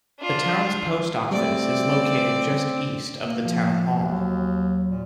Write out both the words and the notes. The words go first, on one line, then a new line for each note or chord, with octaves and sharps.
The town's post office is located just east of the town hall.
D4 F4
G3 A3 C4 D5
A#3
F3
D#2
F#3
A#2